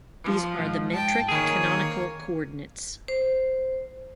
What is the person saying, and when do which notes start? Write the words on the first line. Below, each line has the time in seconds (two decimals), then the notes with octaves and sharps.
These are the metric canonical coordinates.
0.24 F3
0.59 D2 G#2
0.93 G5 A5
1.28 D#3 A#3 G#4 C#5
3.08 C5